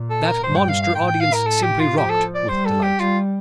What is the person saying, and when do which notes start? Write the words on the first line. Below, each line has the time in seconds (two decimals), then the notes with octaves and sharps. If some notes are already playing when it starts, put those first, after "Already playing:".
That monster audience simply rocked with delight.
Already playing: A#2
0.10 A4
0.27 A#4
0.43 G2 C5
0.56 G5
0.69 F5
0.82 F5
0.95 A2 G5
1.08 G5
1.20 F5
1.33 A#4
1.46 A4
1.63 G4
1.80 F4
1.97 F3 G4
2.10 A4
2.35 D5
2.48 G3 C5
2.66 A4
2.83 G4
2.99 G3 F4